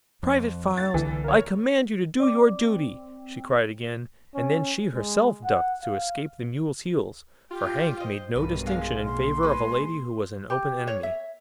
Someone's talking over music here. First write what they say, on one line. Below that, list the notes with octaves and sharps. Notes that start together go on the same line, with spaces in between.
"Private Files, I command you to do your duty!" she cried again, and then she herself ducked to escape the mule's heels--for Hank made no distinction in favor of a lady who was an open enemy.
F2
A6
C2 D3 E3
A#4 C#5
C4 D5 D6
C#4
G#3
F#5
F5
F4 G4 G5
C5 D#5
B1 G2 B2 A#4 B4
G#3 F5
A#2 C6
G#3 B4
G4
C#5
E5